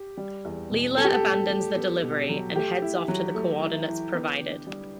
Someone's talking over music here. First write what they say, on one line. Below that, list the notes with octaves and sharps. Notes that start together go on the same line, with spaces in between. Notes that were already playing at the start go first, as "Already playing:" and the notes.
Leela abandons the delivery, and heads off to the coordinates provided.
Already playing: G4
G3
E2
B2
B3 A4
G4
A4
A2
G3
B3
B2
F#3
A3 G4
E4
F#3
A3
E4
E3
B3
D3
G3